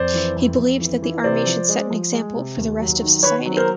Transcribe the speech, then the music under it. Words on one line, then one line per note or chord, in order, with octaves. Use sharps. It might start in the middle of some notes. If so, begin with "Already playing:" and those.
He believed that the army should set an example for the rest of society.
Already playing: F2 C5 D5
E3
F2
F2
E3
E3
C3 C5 D5
F3
G#3
F3
G#3
C3
D#2
F#3
D#3
D#3 B4 C#5
F#3
A#4 C5